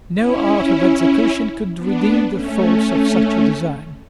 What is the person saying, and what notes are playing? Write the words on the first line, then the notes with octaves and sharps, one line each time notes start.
No art of execution could redeem the faults of such a design.
C#4 E4
B3 D4
A3 C#4